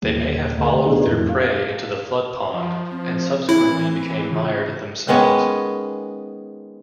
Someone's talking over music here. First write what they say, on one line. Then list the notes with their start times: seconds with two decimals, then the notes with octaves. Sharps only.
They may have followed their prey into the floodpond and subsequently became mired themselves.
0.02 D#1
0.57 D2 A3
0.85 B2 D#3 D4 D#4 G#4 A4
1.05 F2 A2
1.29 F5
2.54 F3
2.91 C4
3.49 E3 E4
4.31 C#3 F4
5.08 D#3 G#3 B3 C#4